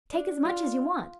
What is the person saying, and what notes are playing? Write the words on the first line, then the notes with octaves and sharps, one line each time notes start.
Take as much as you want.
D4
F4